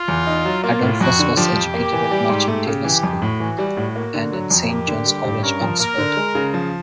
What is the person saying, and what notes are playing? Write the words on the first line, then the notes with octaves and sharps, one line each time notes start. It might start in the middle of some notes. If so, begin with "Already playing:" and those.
Adolphus was educated at Merchant Taylors' School and at Saint John's College, Oxford.
Already playing: F4
E2
D#4
F#3
A#3 F4
A2
F2 F#4
D3
F3 G4
F2
A#3
E3
G3
G#2
A3 G4
C#3
E3
F2
A2 F#4
E3
G3
A2
A#3
D3
F#3
F2
A#3 G4
D3
G3
G2
C#4 A#4
F3
A#3 A#4
D3
G#3
C#3
F3